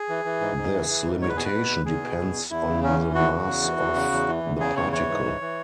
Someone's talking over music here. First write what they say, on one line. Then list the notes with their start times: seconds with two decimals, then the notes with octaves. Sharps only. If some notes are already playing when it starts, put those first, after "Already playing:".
This limitation depends on the mass of the particle.
Already playing: G#4
0.09 E3
0.25 E3
0.41 G#2
0.57 G#2
0.73 E3
0.89 E3
1.06 G#2
1.22 E2 C#5
1.29 B4
1.37 B2 G#4
1.45 B4
1.54 B2
1.69 E2
1.86 E2 G#4
2.02 B2
2.18 B2
2.34 E2
2.51 E2 E4
2.67 C#3
2.82 E2 C#4
2.99 E3
3.15 E2 F#4
3.31 C#3
3.47 E2
3.63 E3
3.80 E2
3.95 C#3
4.12 E2
4.28 E3
4.44 E2
4.60 C#3 G#4
4.76 E2 C#5
4.92 E3 C#5
5.09 G#2
5.25 E3
5.41 E3